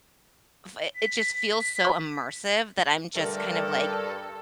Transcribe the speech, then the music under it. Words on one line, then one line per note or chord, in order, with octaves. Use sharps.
f it it just feels so immersive that I'm just kind of like
B6
G2 D3 G3 A3 D4 A4 A#4